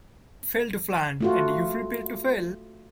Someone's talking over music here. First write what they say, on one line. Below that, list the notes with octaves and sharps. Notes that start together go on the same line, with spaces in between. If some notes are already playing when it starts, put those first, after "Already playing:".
Fail to plan, and you Prepare to fail.
A3 F4 F#4